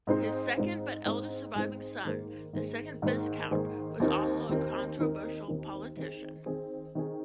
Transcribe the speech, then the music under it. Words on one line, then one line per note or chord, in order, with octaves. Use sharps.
His second but eldest surviving son, the second Viscount, was also a controversial politician.
G#2 G#3 C4 D#4 C5
G#2 G#3 C4 D#4 C5
G#2 G#3 C4 D#4 C5
G#2 G#3 C4 D#4 C5
G#2 D#3 A#3 G#4 C5
G#2 D#3 A#3 G#4 C5
G#2 D#3 A#3 G#4 C5
G#2 D#3 A#3 G#4 C5
D#2 D#3 C4 D#4 A#4
D#2 D#3 C4 D#4 A#4
D#2 D#3 C4 D#4 A#4
D#2 D#3 C4 D#4 A#4
D#3 C4 G#4
D#3 C4 G#4
D#3 C4 G#4